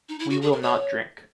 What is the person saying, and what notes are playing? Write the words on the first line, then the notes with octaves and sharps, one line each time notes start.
We will not drink.
D#4
E4
F#4
G#4
A#4
C#5